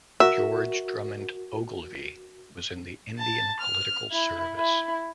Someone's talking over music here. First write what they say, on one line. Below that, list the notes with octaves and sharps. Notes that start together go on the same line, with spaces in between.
George Drummond Ogilvie was in the Indian Political Service.
F#4 A#4 E5
A5
F6
E4
E4